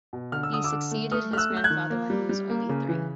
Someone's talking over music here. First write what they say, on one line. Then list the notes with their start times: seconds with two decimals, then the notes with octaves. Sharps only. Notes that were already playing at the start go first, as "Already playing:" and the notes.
He succeeded his grandfather when he was only three.
0.13 B2
0.32 D3 F6
0.43 E6
0.52 D3 D#6
0.64 D6 E6
0.72 D3
0.91 A3
1.11 A3 D#6 F6
1.31 A3 F6
1.37 E6 F#6
1.50 A3
1.57 G6
1.64 F#6 G#6
1.70 D#3
1.90 A#3
2.10 G3
2.29 G3
2.50 A#3
2.69 C#3
2.89 E3